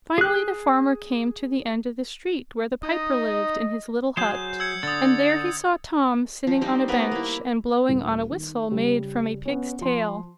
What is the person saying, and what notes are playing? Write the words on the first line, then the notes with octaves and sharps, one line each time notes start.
Finally the farmer came to the end of the street where the piper lived in his little hut, and there he saw Tom sitting on a bench and blowing on a whistle made from a pig's tail.
G#4 F#6
D#4 D#5
F#3 G#4 C5 G6
E6 G#6 C#7
D3 D#6 A6
F3
G3 C4 D#4
A#3 B3 A#4 B4
A#3 E4
D#1
D#3
C#3 G3
B3 C#4
F3 C6